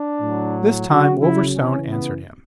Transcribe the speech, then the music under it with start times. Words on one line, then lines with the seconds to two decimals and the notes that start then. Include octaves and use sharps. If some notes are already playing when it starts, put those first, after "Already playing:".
This time Wolverstone answered him.
Already playing: D4
0.21 A2 F#3
0.89 C#3 F#3 F#4
1.22 E4
1.56 C#3 E3 C#4
1.90 B3